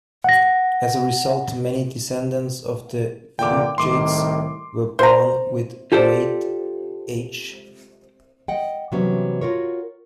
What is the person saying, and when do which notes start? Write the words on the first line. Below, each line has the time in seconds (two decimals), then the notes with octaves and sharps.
As a result, many descendants of the Fugates were born with met-H.
0.24 F#5 A#6
3.39 E2 A#2 D3 G5 D6
3.78 C2 A2 D#3 C6 D6
4.99 C5 A#5
5.92 F4 G4 A4 C5 D5
8.48 D#5 F#5 G5
8.92 C3 E3 F#3 G3 B3 C#4
9.41 F4 F#4 A#4 C#5